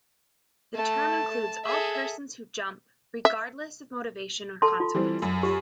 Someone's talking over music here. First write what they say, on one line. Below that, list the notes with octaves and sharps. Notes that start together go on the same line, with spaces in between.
The term includes all persons who jump, regardless of motivation or consequences.
A3 A5
G#4 A4 E5
E5
A4 A5 C6
F4
E3 G3 C4
F#2
F4 G4